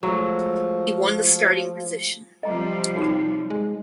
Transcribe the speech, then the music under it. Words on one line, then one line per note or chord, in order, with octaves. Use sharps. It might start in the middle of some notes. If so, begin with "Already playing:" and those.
He won the starting position.
F3 F#3 G#3 A3 F#4 C#6 E6
C3 F3 G3 D#5 A#5
D#4 F#4 C#5
G#3